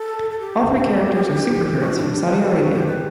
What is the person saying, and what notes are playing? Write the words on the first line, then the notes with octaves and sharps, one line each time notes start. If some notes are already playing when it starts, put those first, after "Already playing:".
All three characters are superheroes from Saudi Arabia.
Already playing: A4
A4
G4
F#4
D4
E4
D4
G4
B4
A4
G4
F#4
G4
B4